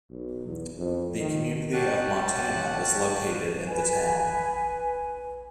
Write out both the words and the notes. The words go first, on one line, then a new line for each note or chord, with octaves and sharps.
The community of Montana is located in the town.
B1
E2
F2
D#3
C#4 G4 F#5 A5 F#6
B4 G#5